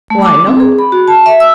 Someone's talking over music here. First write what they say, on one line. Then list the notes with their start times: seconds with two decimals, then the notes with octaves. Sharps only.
"Why not?"
0.10 A3
0.22 D6
0.47 C4
0.60 G#4
0.79 B5
0.92 F#4
1.08 A5
1.26 E5
1.40 E6